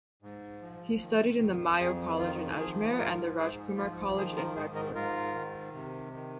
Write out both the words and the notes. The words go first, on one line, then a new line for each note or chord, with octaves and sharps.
He studied in the Mayo College in Ajmer and the Rajkumar College in Raipur.
G#2
F3
D#3
F2
F2 G#4
D#3 F4
F3 G#4
G#2 F4 A#4
G#2 G#4 C5
F3 F4
D#3 G#4
F4 A#4
G#2 G#4 C5
A#4 D#5
G#2 F4 A#4
D#3
C3
D#3